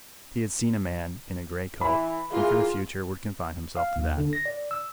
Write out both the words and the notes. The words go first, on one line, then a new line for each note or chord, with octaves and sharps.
He had seen a man in a grey coat, and for the future would confine himself to that.
E3 B5
E3 A#3 F4 G#4
F5
D#2
D3
A#6
D5
E6